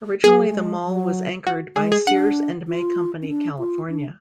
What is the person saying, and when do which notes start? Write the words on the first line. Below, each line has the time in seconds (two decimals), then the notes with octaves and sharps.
Originally, the mall was anchored by Sears and May Company California.
0.24 F#3 G#4
0.49 A3
0.55 G#3
0.85 F#3
1.47 F#4
1.76 G#3 G#4
1.92 G#4
2.07 D4 F#5
2.68 F4
3.22 C#4
3.28 D4
3.59 F4
3.90 D4